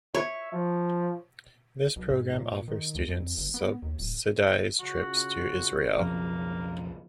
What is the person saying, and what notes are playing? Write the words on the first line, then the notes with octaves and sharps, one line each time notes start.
This program offers students subsidised trips to Israel.
C#5 E5
F3
B1
G#2
A#2
D#3
D2
F2
G1
B3
D#2
D1
C#3 C#4 F4 F#4
B1 F2 F3 A#3